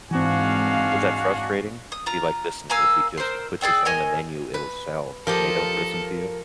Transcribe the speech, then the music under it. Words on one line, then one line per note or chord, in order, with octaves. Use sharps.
Yeah, was that frustrating? Be like, "Listen, if we just put this on the menu, it'll sell," and they don't listen to you?
G#2 E3 C4 D4 F#4 F5 G#5
D#6
F4 A#5
A#3 F5 G#5 E6
A#4 C5 D5 C6
G#4 D5 G5 E6
A#4 C#5 D#5 G#5
B4
F3 G4 A4 A#4 D#5